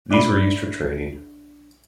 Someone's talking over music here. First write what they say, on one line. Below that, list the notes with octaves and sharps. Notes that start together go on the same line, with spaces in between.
These were used for training.
D4 E4 D5 B5